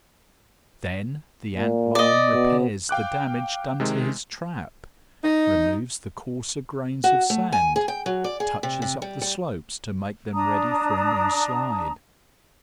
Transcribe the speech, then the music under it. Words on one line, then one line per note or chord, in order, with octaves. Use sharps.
Then the Ant-lion repairs the damage done to his trap, removes the coarser grains of sand, touches up the slopes to make them ready for a new slide.
A#2
D5 D#5
B2
F5 G5 D6 F#6
C3 D#3 G#3
D#4
F#4
A3
G#5
G#4
G5
F#3
D5
G#4
C3
C3
G3
G3
D4 A5 A#5 D#6